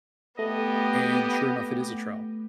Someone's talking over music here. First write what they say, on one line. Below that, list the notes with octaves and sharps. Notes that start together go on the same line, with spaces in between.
and sure enough, it is a trail.
A3 B3 G4 D#5